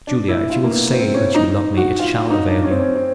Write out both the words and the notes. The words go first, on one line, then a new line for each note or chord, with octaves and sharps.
"Julia, if you will say that you love me, it shall avail you."
D4
E4
F4
A#3
B3
C4
C#4
D#4
F#4
F4
F4
D#4
D4
C#4
C4
C#4
C4